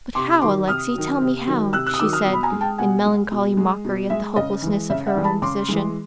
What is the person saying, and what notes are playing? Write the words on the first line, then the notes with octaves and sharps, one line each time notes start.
"But how, Alexey, tell me how?" she said in melancholy mockery at the hopelessness of her own position.
C3 C6 D6
D#3 F#3 C6 D6
C3 D#6 F6
D#3 F#3
C3
D#3 F#3
C3 E6 F#6
E6 F#6
D#6
D#3 F#3 D6 E6
D#6 F6
B2
B5
G#5 A#5
G#3
G5 A5
B2 F#5 G#5
G#3
B2
G#3
B2
G#3 E5
C#3 D#5
E3 G#3
C#3 E5
E5 F#5
E3 G#3
A5 B5
C#3 C6 D6
E3 G#3